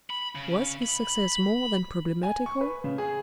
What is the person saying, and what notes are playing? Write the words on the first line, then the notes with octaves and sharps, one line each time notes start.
Was his success more than problematical?
B5
C#3
B5
G#5
C#6
B4
C#3
G#4